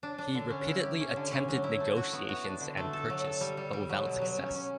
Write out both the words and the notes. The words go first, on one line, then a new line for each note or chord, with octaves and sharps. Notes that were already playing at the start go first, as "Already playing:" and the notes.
He repeatedly attempted negotiations and purchase, but without success.
D4
D4
D3
C#4
E4
G4
C#4
D3
C#4
F#3
E4
A3
F#4
B3
F#4
D4
D3
A3
A4
F#3
A4
G3
G3
G3
F#3
B2
F#3
C#4
C#4